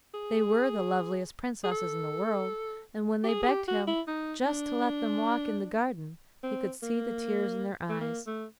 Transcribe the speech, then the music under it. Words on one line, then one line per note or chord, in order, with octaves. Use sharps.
They were the loveliest princesses in the world, and when they begged him just to let them walk in the garden he could see the tears in their eyes.
G#4
G#4
A4
G4
G#4
G#4
G4
F#4
E4
D#4
D4
C4
A#3
A3
A#3
A3